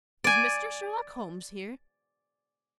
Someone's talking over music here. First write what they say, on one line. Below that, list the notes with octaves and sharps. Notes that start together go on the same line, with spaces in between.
"Is Mr. Sherlock Holmes here?"
D5 G#5